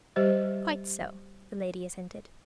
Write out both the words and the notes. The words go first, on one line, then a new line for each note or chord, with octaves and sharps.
"Quite so," the lady assented.
G3 G4 C5 D#5